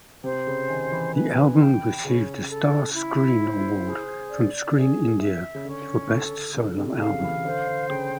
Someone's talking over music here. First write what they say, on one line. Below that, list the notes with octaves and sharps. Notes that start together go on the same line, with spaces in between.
The album received a Star Screen Award from Screen India for Best Solo Album.
C3 C5
C#3
D#3 G#5
E3
B4
G5
C#3 C#4
A4
E4
C5
G#4
D5
G#4
E5
C#3
D3 C#4
D3 A4
C#3 A4
C3
D3
C#3 F5
E3
D3 C5
D3
C#3 G5